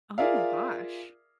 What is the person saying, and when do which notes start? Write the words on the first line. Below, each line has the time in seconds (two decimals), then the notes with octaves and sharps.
Oh my gosh.
0.18 F4 G#4 A#4 D5 E5 F5